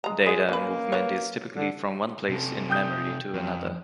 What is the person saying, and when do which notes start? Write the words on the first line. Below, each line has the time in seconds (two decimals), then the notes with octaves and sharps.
Data movement is typically from one place in memory to another.
0.04 G#3 A#5
0.26 G#3 F#4 G#4
0.49 A#3 C#4 B4
0.92 B4 C#5
1.56 D3
2.29 C3 A4
2.70 G5 D#6 G6
3.34 F2